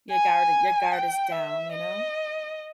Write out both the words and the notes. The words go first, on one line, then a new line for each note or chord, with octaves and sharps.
Your guarded Your guard is down, you know?
G#5
G5
E5
D#5